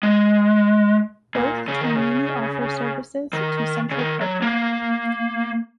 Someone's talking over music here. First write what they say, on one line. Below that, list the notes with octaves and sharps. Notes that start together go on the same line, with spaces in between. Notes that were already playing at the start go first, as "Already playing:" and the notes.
Both termini offer services to central Perth.
G#3
A#2
C#3
D#3
C#3
D#3
C#3
D#3
F#3
A#3